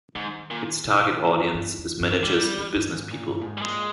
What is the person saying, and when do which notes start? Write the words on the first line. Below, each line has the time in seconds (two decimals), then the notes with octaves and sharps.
Its target audience is managers and business people.
0.15 G#2 D#3
0.51 A#2
0.84 B2
1.02 A#2
1.19 G#2
1.36 G2
1.54 G2
1.78 E2
2.00 G2
2.24 G#2 G3
2.41 G2
2.58 E2
2.75 G2
2.93 G#2
3.11 A#2
3.27 G2
3.41 A#2
3.45 G#2
3.58 G3
3.62 A#2 G#3